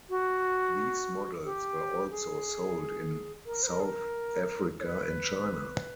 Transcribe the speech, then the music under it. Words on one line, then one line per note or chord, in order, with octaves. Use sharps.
These models were also sold in South Africa and China.
F#4
G4
G#4
A#4
C5
A#4
G#4
A#4
C#5
B4